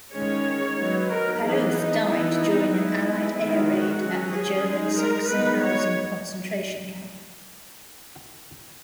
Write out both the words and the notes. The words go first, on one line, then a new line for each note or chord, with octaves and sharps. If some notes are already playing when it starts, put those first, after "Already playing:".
Palluth died during an Allied air raid at the German Sachsenhausen concentration camp.
D#3 G#3 C#4 C#5
F#3 B3 D#4
A#4
E3 B3 D#4 G#4
D#4
E3 B3 D#4 E4
D#4
G#3 B3 D#4 E4
D#3 G#3 B3
F#4
F#3 C#4
G#4
G#3 D#4
A#4
G#3 B3 D#4 B4
C#5